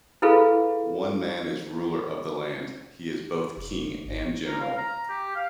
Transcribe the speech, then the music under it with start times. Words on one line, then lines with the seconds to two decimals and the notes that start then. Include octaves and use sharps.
One man is the ruler of the land: he is both king and general.
0.22 E4 F4 G#4 A4 B4 F5
3.57 F1
4.05 G#1
4.47 A#4
4.60 F5
4.77 A#5
5.09 G4
5.35 F5